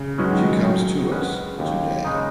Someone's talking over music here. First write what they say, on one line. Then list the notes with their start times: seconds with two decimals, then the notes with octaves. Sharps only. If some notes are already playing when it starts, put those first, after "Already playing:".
She comes to us to-day.
Already playing: C#3
0.18 F#3 G#3 C#4 F#4 B4
0.32 D#3
0.45 F#3
0.65 D#3
1.12 G#3 C#4 F#4 B4
1.59 D#2
2.05 C#3 G#3 D#4